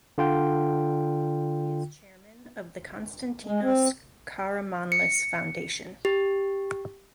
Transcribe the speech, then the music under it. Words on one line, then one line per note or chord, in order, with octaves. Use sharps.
He is chairman of the Konstantinos Karamanlis Foundation.
D3 F4 G5
G#3
C4
C#7
G4